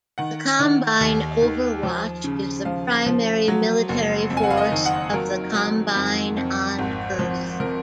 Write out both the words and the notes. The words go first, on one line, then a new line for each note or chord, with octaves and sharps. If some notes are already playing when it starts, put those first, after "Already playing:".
The Combine Overwatch is the primary military force of the Combine on Earth.
D#3 F#5
D#3
D#2
D#3
F3
C#3
F3 F5
F3
F#3
F#1
F2
G#5
F#5
F5
D#5
D#3
F#5
F#3 A#4
F#3
F2
F2
G#1
F3
F3 A#4